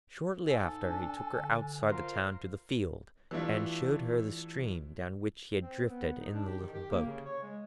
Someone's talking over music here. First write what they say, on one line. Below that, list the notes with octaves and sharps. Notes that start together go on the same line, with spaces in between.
Shortly after he took her outside the town to the field, and showed her the stream down which he had drifted in the little boat.
G#2 A4 G#5
D4
D3
F4 A#4 C5
E3 G3 A3 D4 E4 F4
C4
B3
D#4
D4
G4
D#3
G4
A#3
C#3
C#5
G#3